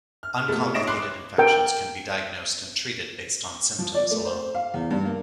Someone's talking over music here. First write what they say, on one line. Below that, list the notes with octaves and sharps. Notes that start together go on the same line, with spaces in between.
Uncomplicated infections can be diagnosed and treated based on symptoms alone.
F6
C3 F3 G#3 A3 B3
G#2 C#5 D#5 A#6 D7 E7
B5 C6 D6 F#6 C7 F#7
A#4 G5
F3
D5
A3
C5
F5
E2
G2
A#3